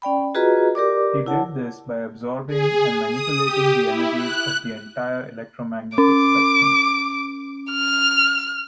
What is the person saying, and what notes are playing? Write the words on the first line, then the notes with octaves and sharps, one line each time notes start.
He did this by absorbing and manipulating the energies of the entire electromagnetic spectrum.
C#4 D5 G5 B5
F4 F#4 G#4 B4 D#5 A#5
G4 A#4 D5 D6
E4 C#5 F#5 A5
G#4
D#6
G4
E4
F#6
C#4 D6
F6